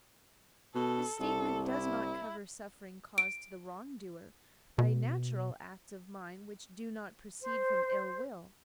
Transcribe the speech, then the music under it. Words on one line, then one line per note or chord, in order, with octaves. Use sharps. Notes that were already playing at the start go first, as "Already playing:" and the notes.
This statement does not cover suffering caused to the wrong-doer by natural acts of mine which do not proceed from ill-will.
B2 A4
C2 A4
E4
D7
B2
C5